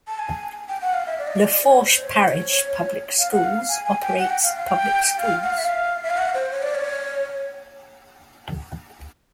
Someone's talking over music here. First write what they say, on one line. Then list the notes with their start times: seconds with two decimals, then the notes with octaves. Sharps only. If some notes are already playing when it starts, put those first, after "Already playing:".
Lafourche Parish Public Schools operates public schools.
0.08 A5
0.19 G#5
0.69 G5
0.81 F#5
0.93 F5
1.06 E5
1.19 D5
1.27 D#5
1.36 D5
1.45 D#5
1.53 D5
1.63 C5
1.69 C#5
1.85 C5
2.02 C#5
2.15 C5
2.29 C#5
3.18 F5
3.31 F#5
3.44 F5
3.69 G#5
3.85 G#5
4.02 G5
4.18 F#5
4.30 G5
4.43 F5
4.56 F5
4.68 G5
5.18 F5
5.43 F#5
5.50 F5
5.58 E5
5.65 F5
6.03 E5
6.10 F5
6.18 F#5
6.34 C5
6.51 C#5
6.63 D5
6.75 C#5